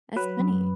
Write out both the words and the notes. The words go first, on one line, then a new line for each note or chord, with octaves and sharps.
That's funny.
F#3 B4
F#2